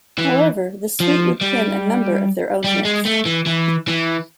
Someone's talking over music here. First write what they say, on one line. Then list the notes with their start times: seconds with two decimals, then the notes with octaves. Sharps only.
However, the Sweet would pen a number of their own hits.
0.18 E3
1.00 F3
1.41 G3
2.64 G3
2.85 G#3
3.05 A3
3.26 E3
3.46 E3
3.88 E3